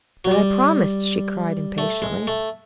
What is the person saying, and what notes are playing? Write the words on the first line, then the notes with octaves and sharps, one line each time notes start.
"But I promised!" she cried, impatiently.
F#3
G3
A3
G#3
A3